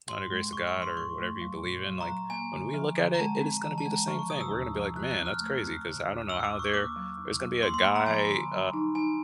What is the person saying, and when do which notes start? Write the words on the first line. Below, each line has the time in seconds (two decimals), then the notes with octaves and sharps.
by the grace of God or whatever you believe in, like, when we look at it, it is gonna be the same thing; we're gonna be like, "Man, that's crazy," 'cause I don't know how there there's gonna be a guy, uh,
0.09 G#2 C6
0.30 G#3
0.53 A2 C#6
0.67 C#6
0.75 F3
0.82 C6
0.97 A2 C#6
1.20 A3
1.41 F#3
1.64 A#2
1.86 F#3
2.01 A#5
2.08 F#3
2.30 A#3 G#5
2.53 D3
2.74 F3
2.97 D3
3.14 A#5
3.19 G#3 A5
3.41 C4
3.63 E3 A#5
3.78 A5
3.85 G#3
3.93 A#5
4.08 F3 C#6
4.19 C#6
4.30 C#3 D#6
4.41 E6
4.51 D#2
4.74 F3
4.96 F3 F#6
5.11 F#6
5.19 C4
5.26 F6
5.40 A3
5.63 C4
5.86 D3
6.07 D#2
6.29 D#2 E6
6.44 D6
6.52 D#2
6.59 C#6
6.74 A#3 D6
6.96 F#3
7.17 E2
7.40 F#3
7.62 A#3 C6
7.74 C6
7.85 A#3 B5
7.96 A#5
8.07 F3 G#5
8.28 D3
8.52 F#3
8.74 D#4
8.95 D#4 G#5